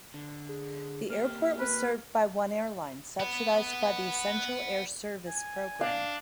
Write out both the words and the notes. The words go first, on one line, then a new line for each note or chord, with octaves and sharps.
The airport was served by one airline, subsidized by the Essential Air Service program.
D3
G#4
A#3 G4 F6
B4
F#5 B5
G#5
D4 F5